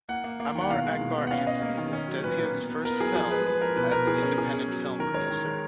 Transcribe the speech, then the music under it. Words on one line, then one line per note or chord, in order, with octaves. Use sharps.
"Amar Akbar Anthony" was Desai's first film as an independent film producer.
A#3 F#5
A#3
A#3
D#3
F#5
B2 F5
G#3
B2
B3
F#5
C#4 F5
C#4 D#5
A#3
D#3
C#4
F#3
A#2 B4
A#3
B3
B3
B3 A#4
F#3 G#4
F3 G#4
G#3 B4
G#3 B4
F3 A#4
B2 B4
B2 A#4
B2 G#4
C#4
B2 G#4
C#4
F#3
F#3
D#3 A#4
G#3 C#5
D#3
G#3